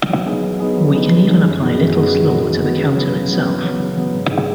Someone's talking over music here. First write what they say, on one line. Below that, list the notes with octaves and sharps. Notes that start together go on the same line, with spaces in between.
We can even apply Little's Law to the counter itself.
F#3
B3 D#4 G#4
F#3
B3 D#4 G#4
F#3
B3 D#4 G#4
F#3
B3 D#4 G#4
F#2
D#3 G#3 B3 F#4
F#2
D#3 G#3 B3 F#4
F#2
D#3 G#3 B3 F#4
F#2
D#3 G#3 B3 F#4
C#3
F#3 B3
C#3
F#3 B3
C#3
F#3 B3
C#3
F#3 B3
G#2
D#3 G#3